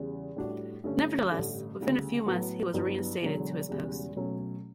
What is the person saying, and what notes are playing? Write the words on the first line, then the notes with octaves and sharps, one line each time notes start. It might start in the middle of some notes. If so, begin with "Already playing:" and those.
Nevertheless, within a few months he was reinstated to his post.
Already playing: E2 C#3 G3
A2 G3 D4 F#4
G2 D3 A3 C#4
A1 G2 D3 A3
D2 C#3 G3
A2 F#3 B3 F#4 A4
G1 G2 F#3 B3 E4
E1 E2 D3 F#3
E1 E2 C#3 G3
B2 F#3 A3 C#4